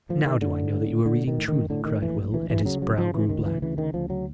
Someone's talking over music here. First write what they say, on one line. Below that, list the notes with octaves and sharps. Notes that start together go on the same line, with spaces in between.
"Now do I know that you are reading truly," cried Will, and his brow grew black.
A2 F3
D#3
A2 D3
A2
A2 D3
D#3
A2
D#3
A2 D3
D#3
A#1 E3
D2 E3
E3
C#3 F#3
F#3
C#3 F3
E3
D2 D#3
E3
C#3 E3
D#3
D2 F3
F#3